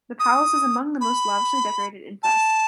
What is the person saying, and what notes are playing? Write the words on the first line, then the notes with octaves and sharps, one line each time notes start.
The palace is among the most lavishly decorated in Fes.
D#6
B5
A5